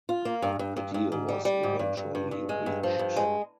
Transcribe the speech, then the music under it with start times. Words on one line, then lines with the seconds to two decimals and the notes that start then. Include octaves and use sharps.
A deal was eventually reached.
0.09 F4
0.25 A#3
0.42 G2
0.59 G2
0.77 G2
0.94 G2
1.12 G#2
1.29 G3
1.45 G3
1.63 G#2
1.79 G2
1.97 G2
2.15 G2
2.31 G2
2.49 G#3
2.66 G2
2.83 F3
2.99 G2
3.16 G#3